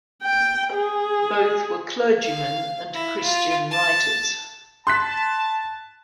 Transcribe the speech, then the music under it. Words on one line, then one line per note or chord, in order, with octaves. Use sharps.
Both were clergymen and Christian writers.
G5
G#4
F5
E4
F4
A5
A5 C6 F#6 B6